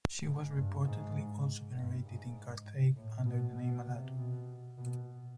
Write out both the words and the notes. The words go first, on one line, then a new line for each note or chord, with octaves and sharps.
She was reportedly also venerated in Carthage under the name Allatu.
G#2
G2
G#2
G2
G#2
A2
B2
B2
C3
B2
B2